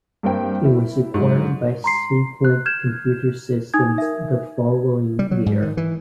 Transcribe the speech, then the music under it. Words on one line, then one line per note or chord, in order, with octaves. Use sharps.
It was acquired by Sequent Computer Systems the following year.
G2 A#3 C4 G5
E4
G#2 F#3
A#5 C6 C7
F#6
F6 G6 G#6 E7
D#4 G#5 D#6 G#6
A#4 E5
G3
F#3
G#2
D#3
E3